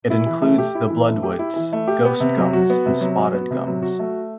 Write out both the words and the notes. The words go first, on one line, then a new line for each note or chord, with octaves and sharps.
It includes the bloodwoods, ghost gums and spotted gums.
E4
E3
A3
G4
E4
E3
A3
G4
E4
E3
A3
G4
B3
C3
F#3
F#4
B3
C3
F#3
F#4
B3
C3
F#3
F#4
A3